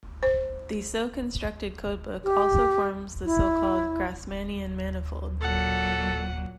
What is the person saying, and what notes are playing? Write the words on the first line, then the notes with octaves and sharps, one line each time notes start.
The so-constructed codebook also forms the so-called Grassmannian manifold.
C5
G4
E4
A#2 F#3 A4 F#5